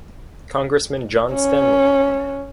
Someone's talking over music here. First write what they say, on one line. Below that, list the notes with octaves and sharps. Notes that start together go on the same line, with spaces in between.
Congressman John Stanly.
C#4